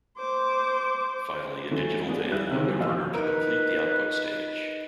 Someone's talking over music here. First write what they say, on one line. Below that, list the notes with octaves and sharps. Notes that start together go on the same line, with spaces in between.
Finally a digital-to-analog converter to complete the output stage.
C5 D6
E3 F#3 G#3 A3
G#3 B3 D4 G#4
G3 E4 F#6
C3 D#3
E3 G3 B3
A#2 F3 F4 D#5 E6 F6
D#4 A#4 B4